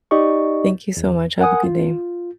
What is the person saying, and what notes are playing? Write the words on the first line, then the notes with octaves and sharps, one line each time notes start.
Thank you so much, have a good day.
D#4 G4 D5 D#5 C#6
E2
A#4 F#5 G#5 D#6
F4